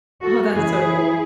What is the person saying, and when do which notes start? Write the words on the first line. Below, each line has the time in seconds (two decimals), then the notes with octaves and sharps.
Oh, that's so cool.
0.23 F#4 A4
0.52 F#2 C#3 E3 E4 G#4